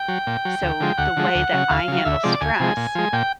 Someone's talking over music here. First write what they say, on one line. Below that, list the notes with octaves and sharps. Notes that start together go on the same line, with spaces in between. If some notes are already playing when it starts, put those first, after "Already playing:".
So, the way that I handle stress
Already playing: G5
F#3
A#2
F#3
D2
D3 F3 G#3
D2 F#5
D3 F3 G#3
D2
C#3 F#3
D2 F5
C#3 F#3
D2 E5
C3 F3 G#3 D5
D2 G#5
C3 F3 G#3
A#2
F3 G#3
A#2 G5